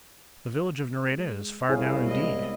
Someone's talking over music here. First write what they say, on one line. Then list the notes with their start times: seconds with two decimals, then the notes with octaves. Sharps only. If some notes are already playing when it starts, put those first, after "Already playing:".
The village of Nareda is far down indeed.
1.11 G#3
1.69 C2 E4 G#4 C#5 F5
2.07 G#3 B3 E4 D#5